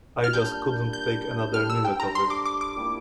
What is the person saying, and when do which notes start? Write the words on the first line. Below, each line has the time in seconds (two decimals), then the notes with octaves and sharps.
I just couldn't take another minute of it.
0.24 F6
0.33 A#2 G3 D4 G6
0.93 G6
1.54 G3 D4 A4 C5 F6
1.70 E6
1.85 G5
2.00 A#5
2.15 C6
2.30 D6
2.45 D6
2.61 D6
2.76 A#2 G3 A#3 E4